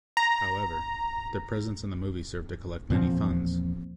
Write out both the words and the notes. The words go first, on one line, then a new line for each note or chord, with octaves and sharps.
However, their presence in the movie served to collect many funds.
A#5
E2 A#2 F3 C4